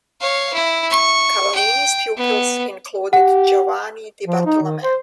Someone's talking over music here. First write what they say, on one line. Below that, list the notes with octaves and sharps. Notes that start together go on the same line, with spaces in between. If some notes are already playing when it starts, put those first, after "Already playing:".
Cavallini's pupils included Giovanni di Bartolommeo.
C#5 F5
E4
C#6
G5
B3
G4 F#5
F3
D#4
D#3
C5